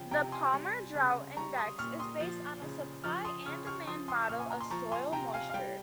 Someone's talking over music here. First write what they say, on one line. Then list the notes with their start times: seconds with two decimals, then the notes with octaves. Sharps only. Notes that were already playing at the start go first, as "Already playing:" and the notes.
The Palmer Drought Index is based on a supply-and-demand model of soil moisture.
Already playing: C#3 F3 G5
0.11 C3 G5 A#5
0.32 G#5 C6
0.53 G3
0.95 C#3
1.37 G3 A#5 C#6
1.57 C6 D#6
1.78 A#2 C#6 F6
1.99 C6 D#6
2.20 F3
2.62 C#3
3.04 F3 C#6 F6
3.25 C6 D#6
3.46 C#3 C#6 F6
3.67 C#6 F6
3.87 F3 C6 D#6
4.08 C6 D#6
4.29 A#2 C#6 F6
4.40 G#5
4.50 A#5
4.61 C6
4.70 F3 A#5 C#6
4.92 G#5 C6
5.13 C3 G5 A#5
5.34 F5 G#5
5.50 F5
5.54 G3 G5